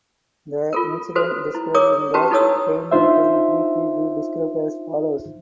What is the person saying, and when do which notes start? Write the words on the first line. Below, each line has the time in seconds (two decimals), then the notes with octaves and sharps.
The incident described in the painting can briefly be described as follows.
0.73 F4 A4 A#4
1.15 F#4 A4 B4 C5
1.55 E4
1.74 G#4 A#4 C#5 D6 D#6
2.14 C#4 F#4 G4 B4 A5
2.31 D#4 E4 A4 C#5 D#6 E6
2.91 D4 D#4 F4 C5 E5